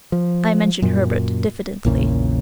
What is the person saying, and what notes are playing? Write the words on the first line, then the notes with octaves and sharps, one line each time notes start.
I mentioned Herbert diffidently.
F3
F#2 A#2
A#1 E2 A#2 C#3